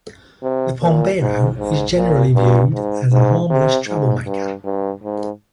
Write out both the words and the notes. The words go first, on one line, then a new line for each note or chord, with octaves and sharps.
The Pombero is generally viewed as a harmless troublemaker.
C3
A#2
G#2
G#2
A#2
G2
G#2
G#2
C3
G#2
G2
G2
G#2